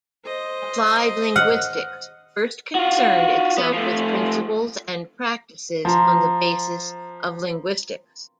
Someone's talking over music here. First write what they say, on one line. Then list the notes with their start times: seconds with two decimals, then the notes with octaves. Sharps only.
Applied linguistics first concerned itself with principles and practices on the basis of linguistics.
0.25 C5 D#5
1.36 F#5 F6
2.75 F4 F#4
3.58 B3
3.73 F3 A3
5.85 F3 A#5 C6